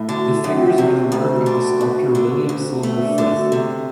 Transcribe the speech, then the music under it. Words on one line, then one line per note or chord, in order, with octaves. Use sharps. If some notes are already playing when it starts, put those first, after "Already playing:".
The figures are the work of the sculptor William Silver Frith.
Already playing: A2
D3 F#4
E4
F#2
C4
E4
C3 F#4
G4
D2 A4
F#4
D3
D2
D3
D2
A3 B3
D4
D3
F#4
C3 A4